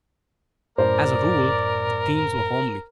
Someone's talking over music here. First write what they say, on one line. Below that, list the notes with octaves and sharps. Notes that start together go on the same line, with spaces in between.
As a rule the themes were homely.
F#2 A2 A#4 C5 D5